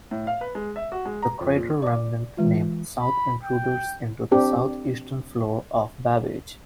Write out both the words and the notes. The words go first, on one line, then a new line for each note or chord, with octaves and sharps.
The crater remnant named South intrudes into the southeastern floor of Babbage.
A2
F5
B4
G#3
E5
F#4
G#3
A#5
F2
A#2
D5 D6
E3 G#3 F4
B5
G5
C4 D4 G4